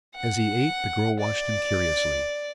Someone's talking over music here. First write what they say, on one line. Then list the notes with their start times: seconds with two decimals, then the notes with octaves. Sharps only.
As he ate, the girl watched him curiously.
0.15 F#5
1.19 D5